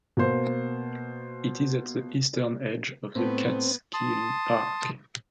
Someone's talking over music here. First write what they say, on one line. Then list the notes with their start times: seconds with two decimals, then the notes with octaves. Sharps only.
It is at the eastern edge of the Catskill Park.
0.17 B2 A#3 C5
3.15 A2 A3 B3 C4
3.94 A5 C6 D#6